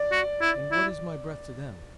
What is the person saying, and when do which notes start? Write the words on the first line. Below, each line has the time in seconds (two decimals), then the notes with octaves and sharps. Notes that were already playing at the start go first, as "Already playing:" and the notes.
And what is my breath to them?
Already playing: D5
0.11 F#4
0.41 E4
0.71 E4